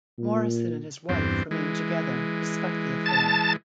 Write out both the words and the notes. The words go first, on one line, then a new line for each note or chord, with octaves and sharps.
Morrison and his wife remained together despite the affair.
A#2
E2 G2 C4
E3 G#3
A5 A6